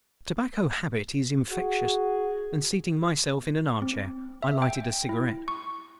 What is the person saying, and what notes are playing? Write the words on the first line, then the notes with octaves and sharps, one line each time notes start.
The tobacco habit is infectious, and, seating myself in an arm-chair, I lighted a cigarette.
F#4 G#4
C4
E5
G5
E4
C#6